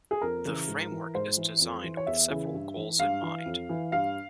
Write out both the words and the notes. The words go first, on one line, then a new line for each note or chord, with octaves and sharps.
The framework is designed with several goals in mind.
G#4
F2 A#4
C#3 E3
G#2
E3
G#2 C5
E3
F2
E3
C#5
E2 E5
C#3 E3
G2
E3
G2 F5
E3
F2
E3
G2 F5